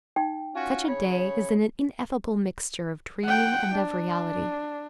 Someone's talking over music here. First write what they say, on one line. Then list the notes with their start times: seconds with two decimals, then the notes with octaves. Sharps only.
Such a day is an ineffable mixture of dream and of reality.
0.16 D#4 G5
0.55 C#4 F4 F#4
0.88 C#3 C#5 B5
3.24 F#5 G5
3.74 D4